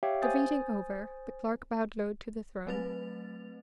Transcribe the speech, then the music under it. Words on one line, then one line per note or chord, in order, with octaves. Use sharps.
The reading over, the Clerk bowed low to the throne.
G4 C#5 E5 F5 G5
C5 G#5 D#6 G6 A6
F#3 A3 C4 B4 A6 F7